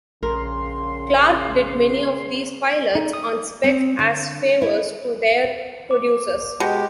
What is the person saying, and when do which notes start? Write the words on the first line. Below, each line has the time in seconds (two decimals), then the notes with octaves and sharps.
Clark did many of these pilots "on spec" as favors to their producers.
0.23 A#1 C#3 A#4 C6
2.95 D#4
3.13 D#6
3.64 C4
3.99 D3
4.62 E4
5.91 D6
6.60 B2 G#3 G4